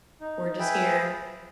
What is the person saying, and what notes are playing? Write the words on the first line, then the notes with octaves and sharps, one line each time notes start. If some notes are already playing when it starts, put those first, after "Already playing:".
We're just here."
D#4
G#4 B4 E5 G5